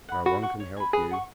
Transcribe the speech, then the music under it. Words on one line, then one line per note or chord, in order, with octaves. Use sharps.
No one can help you.
F#5 B5
F#4 B4
F#5 C#6
C#5
G#5 B5
G#4 B4
F#5 C#6